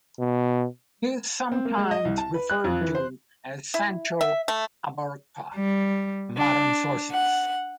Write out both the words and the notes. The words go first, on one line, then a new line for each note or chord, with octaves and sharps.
He is sometimes referred to as Sancho "Abarca" by modern sources.
B2
C4
A#3
G#3
D#5
C2
A5
B4
F#6
F2
E3
C5
E4
E5
A3
G3
D4
F#5